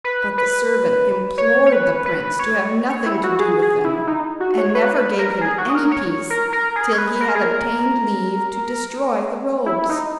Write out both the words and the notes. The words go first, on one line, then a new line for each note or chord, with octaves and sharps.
But the servant implored the prince to have nothing to do with them, and never gave him any peace till he had obtained leave to destroy the robes.
B4
B4
C#5
C#5
B4
B4
C#5
C#5
E4
F#4
G#4
G#4
E4
D#4
F#4
C#5
B4
B4
A#4
A#4
G#4
F#4
G#4
A#4
C#5
A#4
A#4
G#4
C#5
B4
A#4
G#4
A#4
E4
D#4